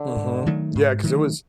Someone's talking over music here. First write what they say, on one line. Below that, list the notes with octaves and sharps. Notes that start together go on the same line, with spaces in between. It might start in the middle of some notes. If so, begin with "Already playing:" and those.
Mhm. Yeah, 'cause they was
Already playing: D3
G#2
D#3 F#3 A3
G#2
D#3 F#3 A3